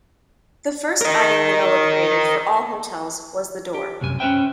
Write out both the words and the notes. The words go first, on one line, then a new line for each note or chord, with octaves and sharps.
The first item Venola created for all hotels was the door.
A#4 D#5
G4
C2 F#2 G#5
C#4 F4 B4 C5 E5 G5